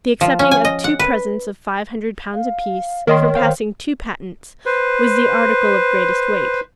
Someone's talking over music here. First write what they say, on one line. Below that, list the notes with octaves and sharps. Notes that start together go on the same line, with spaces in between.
The accepting of two presents of five hundred pounds apiece, for passing two patents, was the article of greatest weight.
F3
C#4
G#5
D#5
F#5
B4
F5
D#3 A#3 C#5 D#5 C6
C5 F5 G5
B4 C5